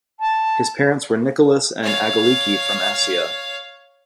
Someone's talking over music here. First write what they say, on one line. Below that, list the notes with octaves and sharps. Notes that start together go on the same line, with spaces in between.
His parents were Nicolas and Aggeliki from Assia.
A5
C#5 F5